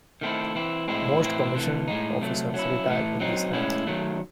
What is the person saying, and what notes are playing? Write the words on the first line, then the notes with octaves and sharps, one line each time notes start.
Most commissioned officers retire in this rank.
D#3 A3 C4 E4
E3 C4 E4
A2 G#3 C4 E4
A2 E3 C4 E4
C3 E3 A3
A2 G#3 D#4
C3 F#3 A3
F#3 C#4 E4
A2 E3 A3
F#3 C4 D#4
A2 G#3 C#4 E4
D#3 F#3 A3